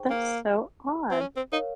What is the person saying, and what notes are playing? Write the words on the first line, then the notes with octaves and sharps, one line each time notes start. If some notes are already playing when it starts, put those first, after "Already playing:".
That's so odd.
Already playing: D#4 G#4 C5 G5 C#6
A#3
C4
C#4
C4
D#4 A#4 C#5 F5